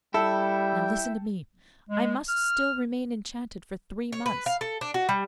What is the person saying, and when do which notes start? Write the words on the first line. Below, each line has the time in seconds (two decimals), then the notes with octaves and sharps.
Now listen to me: I must still remain enchanted for three months.
0.14 G3 E4 A4 G5
1.89 G#3
2.29 F6
4.12 C#5
4.26 B4
4.46 F5
4.61 A4
4.81 D4
4.94 F#4
5.09 G3